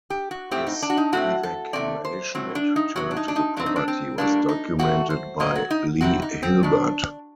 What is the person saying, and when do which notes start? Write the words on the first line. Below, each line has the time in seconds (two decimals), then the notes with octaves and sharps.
His evacuation and return to the property was documented by Leigh Hilbert.
0.10 G4
0.31 F#4
0.51 A2 A3 C4 G4
0.67 D#4
0.82 D4
0.90 F#4
0.97 D#4
1.12 A2 A3 C4 F#4
1.43 A4
1.73 C3 D#3 A3 C4 D5
2.05 C5
2.35 A2 F#3 C4
2.55 D4
2.76 D#4
2.96 C3 D#3 F#3 F#4
3.11 D4
3.17 D#4
3.28 D4
3.36 D#4
3.56 A#2 F#3 C4 D4
3.66 D#4
3.76 D4
3.88 C4
4.18 A2 G3 A#3 D4
4.49 D#4
4.79 A#2 A3 C4 F#4
5.10 C5
5.40 A#2 F#3 A#3 D#5
5.55 F#4
5.71 D#4
6.01 C3 G3 C4 F#4
6.22 D#4
6.43 C4
6.63 D#3 D4